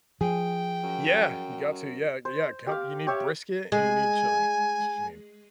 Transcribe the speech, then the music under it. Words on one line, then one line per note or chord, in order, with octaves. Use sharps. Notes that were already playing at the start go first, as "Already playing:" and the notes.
Yeah, you got to, yeah yeah, come you need brisket and you need chili. That's what you need.
F3 G#4 G5
F#2
C5
G4 F5
G4 C#5 E5
G#3 G#5